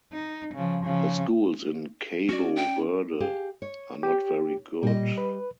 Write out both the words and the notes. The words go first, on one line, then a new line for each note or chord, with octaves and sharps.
The schools in Cabo Verde are not very good.
D#4
C#3 F3
C#3 F3
C#4 F#4 D5
G5
G4 G#4 F5
C#5
G4
A#2 G3 D#5
B4